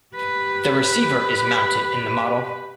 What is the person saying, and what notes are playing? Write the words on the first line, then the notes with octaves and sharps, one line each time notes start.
The receiver is mounted in the model.
G4 B4